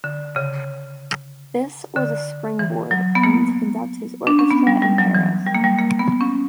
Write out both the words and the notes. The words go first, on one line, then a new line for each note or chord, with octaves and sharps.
This was a springboard for him to conduct this Orchestra in Paris.
D3
C#3
D3
E3
F#3
B3
A#3
D4
C#4
B3
G3
G3
F#3
E3
G3
A#3
G3
A#3
B3
C#4